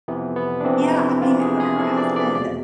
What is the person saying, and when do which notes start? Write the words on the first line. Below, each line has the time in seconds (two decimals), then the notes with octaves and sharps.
Yeah. I mean, her husband
0.08 F2 C3 E3 B3
0.36 B3
0.60 D4
0.64 F2 C3 E3 C4
0.93 E4
1.22 F2 C3 E3 F4
1.41 G#4
1.60 G#4
1.78 F2 C3 E3 A4
1.97 D5
2.16 D5
2.35 E2 D5
2.38 B2